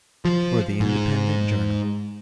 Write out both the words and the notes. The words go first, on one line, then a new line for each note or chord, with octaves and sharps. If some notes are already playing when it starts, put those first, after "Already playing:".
For the Independent Journal.
F3
G#2